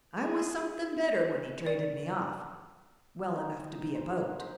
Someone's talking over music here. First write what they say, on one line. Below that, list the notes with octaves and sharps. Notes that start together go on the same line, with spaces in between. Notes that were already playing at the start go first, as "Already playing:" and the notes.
I was something better when he traded me off; well enough to be about.
G#4
D5
D#4
C6
C5